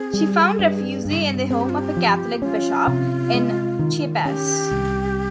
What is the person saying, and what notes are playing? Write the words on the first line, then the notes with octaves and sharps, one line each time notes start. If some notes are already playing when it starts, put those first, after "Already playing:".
She found refuge in the home of a Catholic bishop in Chiapas.
Already playing: C4 G#4
G3
G2
G2
C4 G#4
G4
F4
G4
F3
C#4 F4
C3
G#3
D#3
C#4 G4
C2